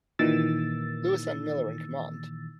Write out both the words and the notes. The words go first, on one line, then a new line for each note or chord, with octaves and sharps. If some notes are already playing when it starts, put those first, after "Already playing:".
Louis N. Miller in command.
A#2 D#3 E3 E6 A6